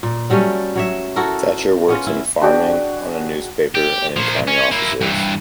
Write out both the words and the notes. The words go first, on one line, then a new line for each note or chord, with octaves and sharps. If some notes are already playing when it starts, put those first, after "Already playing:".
Thatcher worked in farming, on a newspaper and in county offices.
A#2
F#3 G3 A3 C#4
F#3 C#5 E5
E4 F#4 A4 A#4
B3 C#4 F4
E4
D4 F#4 G#4 G5
G4
A#2 F3
C#4
A#3 E4
G2 E3